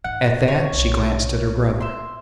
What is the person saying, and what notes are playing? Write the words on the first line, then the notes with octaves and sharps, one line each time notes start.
At that, she glanced at her brother.
G#2 D#3 F#5
C#5
B1
E5 C6